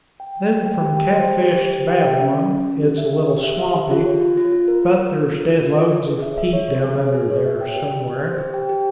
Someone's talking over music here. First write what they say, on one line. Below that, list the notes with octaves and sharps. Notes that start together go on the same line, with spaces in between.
Then from Catfish to Babylon it's a little swampy, but there's dead loads of peat down under there somewhere.
G5
G5
C5
G5
G4
G5
C5
C5
G4
G4
G4
G5
E5
C#4
C#4
C#4
G4
G4
E5
G4
G4
E5
E5
G4
F4
C#5
F4
F4
F4
A#4
A#4
A#4
F4
A#4
F4
F4
C#5
C#5
G#4
E5
E5
C#5
C#5
G#4
G#4
G#4
C#5
E5
G5
G4
G4
G4
C5
G4
G5
G4